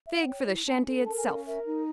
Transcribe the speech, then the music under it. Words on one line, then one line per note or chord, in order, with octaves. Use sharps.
A fig for the shanty itself!
E5
F5
F#5
C#5 G5
E4
C#4 A5
A4
A#4 A5
G#5
C#4 F#5
F5
A#4 E5
D#4